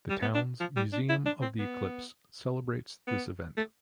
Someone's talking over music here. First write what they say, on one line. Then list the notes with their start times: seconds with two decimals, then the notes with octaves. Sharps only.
The town's "Museum of the Eclipse" celebrates this event.
0.10 G3
0.22 B3
0.35 D4
0.60 F3
0.76 G3
0.93 D4
1.09 E4
1.26 D4
1.42 C4
1.59 B3
3.07 B3
3.57 A3